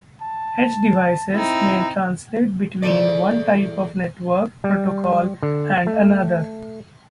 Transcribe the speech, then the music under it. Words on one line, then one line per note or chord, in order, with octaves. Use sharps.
Edge devices may translate between one type of network protocol and another.
A5
C4 D#4 E4
E2 A3 D5
G3
D3
A3